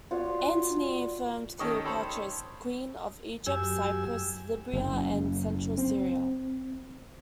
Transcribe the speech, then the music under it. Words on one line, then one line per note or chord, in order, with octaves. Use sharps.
Antony affirmed Cleopatra as queen of Egypt, Cyprus, Libya and central Syria.
F4 F#4 C#5 D5
D#3 C#4 A4 D#5 C#6 D#6
A4 C5 C#5 B5
F#2 G4 G#5 E6
F#1
C4